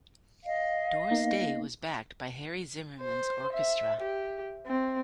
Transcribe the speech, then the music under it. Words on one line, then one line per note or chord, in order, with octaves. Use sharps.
Doris Day was backed by Harry Zimmerman's Orchestra.
D#5 F5
A#3 B3 D#4
C5
E5
G4
C4